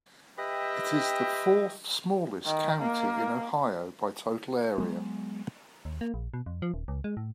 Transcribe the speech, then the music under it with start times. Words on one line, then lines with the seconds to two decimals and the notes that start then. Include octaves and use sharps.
It is the fourth-smallest county in Ohio by total area.
0.38 G4 B4 D#5 E5 G5
2.46 D#3
2.82 A#3
4.78 F#3 G#3 B3
5.85 D#2
6.01 A#3
6.14 A#1
6.34 B2
6.46 F2
6.62 F3
6.74 D#1
6.88 C#2
7.04 G#3
7.17 A2